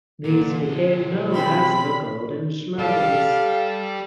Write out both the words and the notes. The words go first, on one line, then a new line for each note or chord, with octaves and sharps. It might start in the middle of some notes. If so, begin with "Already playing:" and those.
These became known as "The Golden Schmoes".
A#2 D3
B2 C5
C4 D4 G4 G#4 B5
G4 A4 D5 F5